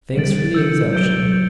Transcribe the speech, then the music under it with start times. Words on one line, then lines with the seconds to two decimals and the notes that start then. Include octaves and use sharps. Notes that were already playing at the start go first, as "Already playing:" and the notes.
Thanks for the exemption.
0.16 G3 A6 D7 F#7
0.54 E6 G6 C#7
0.93 F#3 G6 D7 G7
1.32 G6